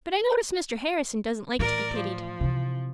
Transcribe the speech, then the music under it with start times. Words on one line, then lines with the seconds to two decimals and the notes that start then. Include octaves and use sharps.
But I notice Mr. Harrison doesn't like to be pitied.
1.59 A2 E3 A#4 D5
1.96 F3
2.41 C3 E3